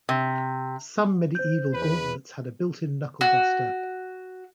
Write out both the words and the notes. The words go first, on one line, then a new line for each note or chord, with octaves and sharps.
Some medieval gauntlets had a built-in knuckle duster.
C3
C5 G6
E2 B4
F#4